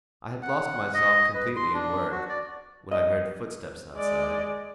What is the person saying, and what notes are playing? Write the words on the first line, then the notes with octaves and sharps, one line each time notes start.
I had lost myself completely in work, when I heard footsteps outside.
F#5
D#5
B4
C6
D4
F#4
D5
D#5
G#3 D5